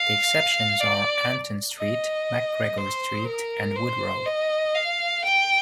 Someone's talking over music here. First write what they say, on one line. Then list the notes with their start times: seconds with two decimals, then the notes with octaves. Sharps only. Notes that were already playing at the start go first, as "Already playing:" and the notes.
The exceptions are Anton Street, McGregor Street and Wood Road.
Already playing: F5
0.80 D5
1.78 D#5
2.77 C5
3.26 A#4
3.76 C5
4.25 D#5
4.75 F5
5.24 G5